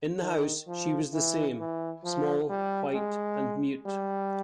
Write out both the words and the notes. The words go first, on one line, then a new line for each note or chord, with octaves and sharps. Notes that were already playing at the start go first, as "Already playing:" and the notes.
In the house she was the same — small, white, and mute.
D#3
F3
E3
E3
F3
G3
G#3
G3